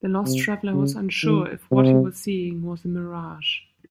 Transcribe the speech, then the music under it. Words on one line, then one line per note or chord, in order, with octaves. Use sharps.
The lost traveller was unsure if what he was seeing was a mirage.
C3
C#3
D#3
C3